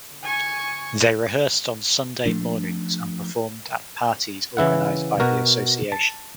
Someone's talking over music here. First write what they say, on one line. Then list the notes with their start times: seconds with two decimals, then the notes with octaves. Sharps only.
They rehearsed on Sunday mornings and performed at parties organized by the association.
0.23 G#5 C#6
2.26 F3 A3 D4
4.57 C#3 E3 E4 F#5
5.20 B2 F#4 A#4
5.92 A5